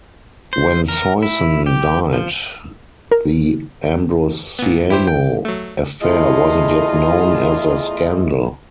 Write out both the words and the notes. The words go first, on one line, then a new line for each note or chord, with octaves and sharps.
When Soisson died, the Ambrosiano affair wasn't yet known as a scandal.
C5
A#4
E4
G4
F3
A#4
A#2 B3
E4 G4 C5
G5
F#3 A3
E2 A2 F4 G#4 D#5